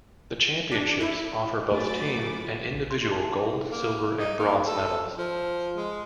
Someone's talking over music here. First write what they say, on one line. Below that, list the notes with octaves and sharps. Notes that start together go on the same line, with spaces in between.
The Championships offers both team and individual gold, silver, and bronze medals.
D4
E4
F#2 A3 F4 G#5 B5 D6 A6
A#1
C6
A5
A#3
D#4
A#3
A4
F3
G#3